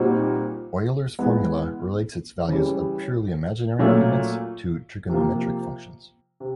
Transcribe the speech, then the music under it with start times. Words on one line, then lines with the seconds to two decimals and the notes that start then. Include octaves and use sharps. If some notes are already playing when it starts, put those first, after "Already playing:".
Euler's formula relates its values at purely imaginary arguments to trigonometric functions.
Already playing: A#2 G3 C4 D#4 F#4
1.19 E3 G#3 B3
2.48 C#3 E3 G3
3.79 A#2 F#3 A3 C#4 F4
5.09 C3 F3 A#3
6.40 C3